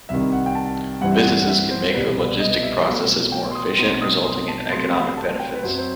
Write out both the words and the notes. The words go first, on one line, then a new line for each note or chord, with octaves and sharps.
Businesses can make their logistic processes more efficient, resulting in economic benefits.
C2 C3 D#3 E5
F#5
G5
A5
G2 E3 G3 C4 F#5
E5
F#5
F#5
E5
C5
C5
C2 B2 G3 B4
B4
D#5
E5
B2 F#3 A3
G5
C6
D#6
B2 F#3 A3 C4 D#4 C6
D#6
C6
A5
C3 F#3 A3 C6
B5
A5
G5
B4
F#2 F#3 C4 C5
C5